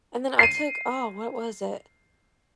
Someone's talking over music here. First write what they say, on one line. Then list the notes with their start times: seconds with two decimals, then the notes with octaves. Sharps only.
And then I took Oh, what was it?
0.39 C7 D#7